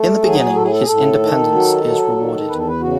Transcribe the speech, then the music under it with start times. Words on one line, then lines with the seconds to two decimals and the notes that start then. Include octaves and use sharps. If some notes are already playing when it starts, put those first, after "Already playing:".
In the beginning, his independence is rewarded.
Already playing: A3
0.22 F#3 G#4
0.55 A2 A4
0.63 G#4
0.71 A4
0.81 G#4
0.87 A2 A4
1.19 D#3
1.51 F#3
1.84 F#3
2.16 D#3
2.48 E2 B4
2.58 A4
2.68 B4
2.80 C#3 F#4